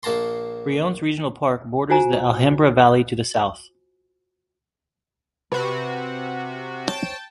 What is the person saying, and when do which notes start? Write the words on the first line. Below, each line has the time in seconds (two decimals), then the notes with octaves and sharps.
Briones Regional Park borders the Alhambra Valley to the south.
0.03 A#1 A#3 A5 A#5 C6
1.90 F4 F#4 C5 G#5 A#5
5.52 C3 F#4 B4
6.88 C5 C#5 G5 A5